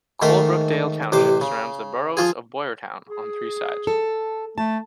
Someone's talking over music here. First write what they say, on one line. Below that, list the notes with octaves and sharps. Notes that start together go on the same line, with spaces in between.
Colebrookdale Township surrounds the borough of Boyertown on three sides.
G#2 D#3 A3 A#4 C6
A1 C3 C5 D6
C#3
F3 F4 G#4
G#4
A4
A3 A5